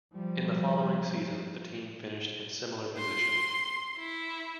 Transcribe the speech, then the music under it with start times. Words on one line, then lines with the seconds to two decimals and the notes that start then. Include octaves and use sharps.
In the following season, the team finished in similar position.
0.14 F3 G3
2.98 C6
3.97 E4